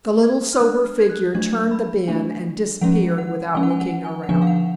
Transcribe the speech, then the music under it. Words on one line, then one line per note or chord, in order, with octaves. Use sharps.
The little sober figure turned the bend and disappeared without looking around.
G#6
F6
G#3 D4 F#6
F6
G#6
F#6
F#3 A3 D4 G#6
B5
F#3 A3 D4 G#5
F3 G#3 C#4 F#5
F#5
F3 G#3 C#4 G#5
F#5
G#5
F#5
G#5
F#5
D3 F3 B3 D4 G#5
F5
F#5